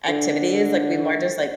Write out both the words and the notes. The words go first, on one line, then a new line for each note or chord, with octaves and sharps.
activities, like, we more just, like,
D3